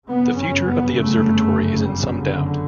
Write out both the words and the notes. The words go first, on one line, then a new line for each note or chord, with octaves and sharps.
The future of the observatory is in some doubt.
G1 F#2 C#3 B3
C#4
B3
A3
G3
D3